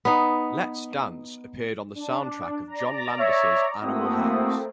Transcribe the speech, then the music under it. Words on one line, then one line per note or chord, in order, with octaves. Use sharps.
"Let's Dance" appeared on the soundtrack of John Landis's "Animal House".
B3 D#4
D4
D5 A#5
C#5 E5
A3 A#3 C4 E4 F#4 D#6